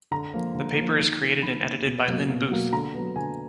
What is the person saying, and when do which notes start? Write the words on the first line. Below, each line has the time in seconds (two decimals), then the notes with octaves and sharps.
The paper is created and edited by Lynn Buth.
0.11 D3 A#5
0.34 F3 A#3
0.55 D3
0.77 F3 A#3
0.98 D#3
1.20 A#3
1.42 D#3 B5
1.64 A#3
1.86 B2
2.08 F#3 A#3
2.29 B2
2.51 F#3 A#3
2.73 D3 A#5
2.95 F#3 B3
3.16 D3 G#5